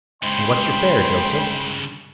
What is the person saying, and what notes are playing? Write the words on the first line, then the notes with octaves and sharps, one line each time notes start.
"And what's your fare, Joseph?"
G2 C#3 G#3 C5 G5 B5 C6